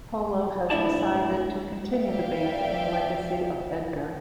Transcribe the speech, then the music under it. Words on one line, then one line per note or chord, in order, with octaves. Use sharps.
Polo has decided to continue the band in legacy of Edgar.
A2 D4 E4 D5 A5
D5 E5 F5 G5